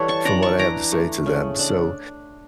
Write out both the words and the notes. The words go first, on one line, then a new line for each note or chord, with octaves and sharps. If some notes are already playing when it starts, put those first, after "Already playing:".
from what I have to say to them.” So,
Already playing: E3 G3 A4 C#5
A5 C#6
D4 A#5 D6
A5 C#6
E3 A#5 D6
A3
C#3
D4